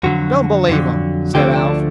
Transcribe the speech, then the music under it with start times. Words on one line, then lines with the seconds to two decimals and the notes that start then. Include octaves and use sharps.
"Don't believe 'em," said Alf.
0.03 F2 D3 F#3 F#4
0.69 F2 D3 F#3
1.34 D2 D3 F3 A3 C4 G4
1.56 D4